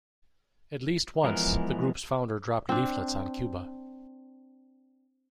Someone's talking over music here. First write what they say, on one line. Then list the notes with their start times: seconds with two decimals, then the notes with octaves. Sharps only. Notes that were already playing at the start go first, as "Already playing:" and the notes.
At least once, the group's founder dropped leaflets on Cuba.
1.24 E3 F3 G#3 B3 A#4
2.69 C4 D4